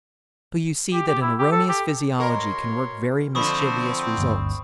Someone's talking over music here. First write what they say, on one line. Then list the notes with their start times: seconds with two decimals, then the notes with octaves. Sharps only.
So you see that an erroneous physiology can work very mischievous results.
0.93 G4
1.07 G4
1.21 E4
1.39 G4
1.52 A4
1.69 G4
2.18 B2 A#4 C#5 C6
3.35 D3 F3 C4 B5 C#6 D#6
4.18 G1 D2